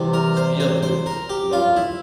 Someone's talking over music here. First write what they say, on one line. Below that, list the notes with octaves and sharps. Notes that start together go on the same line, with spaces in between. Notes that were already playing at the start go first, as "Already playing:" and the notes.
Sphere Books, London.
Already playing: E2 C3 G3
A#4
C5
C5
C5
A#4
G4
F4
E4